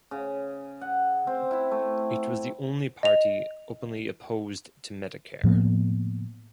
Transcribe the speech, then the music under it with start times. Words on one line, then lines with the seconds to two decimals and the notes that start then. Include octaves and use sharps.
It was the only party openly opposed to Medicare.
0.11 C#3
0.81 F#5
1.27 C4
1.51 E4
1.71 A3
3.03 D#5 F7
5.43 A2 F3 A#3 B3